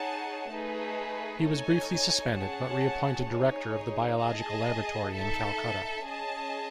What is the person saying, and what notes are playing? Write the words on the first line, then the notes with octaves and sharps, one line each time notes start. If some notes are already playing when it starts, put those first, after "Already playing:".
He was briefly suspended but reappointed director of the Biological Laboratory in Calcutta.
Already playing: D#4 G#4 C#5 F#5 A5
A3 D#4 G#4 B4
D#4 A4 C#5 G#5
C#4 G#4 C#5 F#5 A5
D#4 G#4 C#5
G#4 D#5 A5
D#4 A4 E5 A5
C#4 G#4 D#5 A5